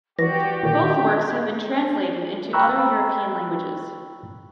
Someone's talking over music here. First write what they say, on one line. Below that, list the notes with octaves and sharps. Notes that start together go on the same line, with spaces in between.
Both works have been translated into other European languages.
E3 F#4 G4 D5 A#6
A#2 D#3 G6
G5 A#5 B5 C#6 E6 F#6